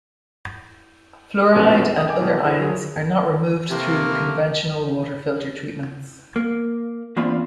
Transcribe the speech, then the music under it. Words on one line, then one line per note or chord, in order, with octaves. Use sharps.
Fluoride and other ions are not removed through conventional water filter treatments.
A#1 E2 B2 F3 C#4 A4
G5 D#6
G5 G#5 D6
B2 D#3 E3
E4 G#4 A#4 C5
F3 F#3 G#4
C3 A3 A#3
A#3
E2 A#3 C4 D4 F4 B5